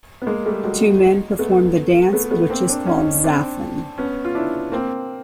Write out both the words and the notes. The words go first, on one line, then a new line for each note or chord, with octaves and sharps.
Two men perform the dance, which is called "Zaffan".
B3
G#3 A#3
G3 A3
F#3 G#3
A3 B3
A3 B3
A3 B3
A#3 C4
C4 D4
C#4 D#4
C4 D4
B3 C#4
F4
D4 E4
A#3 C4